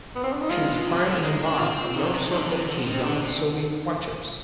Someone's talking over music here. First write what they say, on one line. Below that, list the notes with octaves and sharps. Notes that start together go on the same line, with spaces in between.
She inspired and advised a large circle of key young Soviet writers.
B3
C4
D4
D#4
G#3 F4
B2
C3
D3
G#3 D#4
D4
C4 F4
C4
D3 D#4
C3
D#3
D3 D#4
C3
D3
F3
D#3
C4
D3 D4
C3